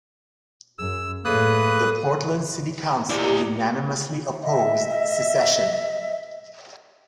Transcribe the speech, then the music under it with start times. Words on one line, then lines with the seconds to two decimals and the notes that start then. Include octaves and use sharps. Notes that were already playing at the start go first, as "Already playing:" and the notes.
The Portland City Council unanimously opposed secession.
0.79 F#2 G#4 E6
1.25 A2 A#3 G#4 A4 B4 C#5 D#6 F#6
3.09 C3 D#4 E4 G4 D5
4.42 D#5 E5